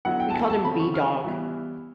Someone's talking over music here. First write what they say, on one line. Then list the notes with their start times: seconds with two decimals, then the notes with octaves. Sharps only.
We called him B-Dog,
0.05 D3 F#3 B3 E4 F#5
0.20 G5
0.30 A5
0.34 G#5
0.50 A5
0.65 C#3 F#3 A3 C4 B5
0.80 C#6
0.94 F6
1.24 E3 G3 B3 E4